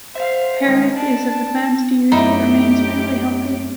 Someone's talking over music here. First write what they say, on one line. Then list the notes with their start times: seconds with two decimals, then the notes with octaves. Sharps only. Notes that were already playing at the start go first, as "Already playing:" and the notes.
Peric is of advanced years but remains fairly healthy.
0.15 C5 E5 F5
0.65 D#3 G#3 C4
0.96 D4 A5
2.12 F#2 A3 D#4 E4 G4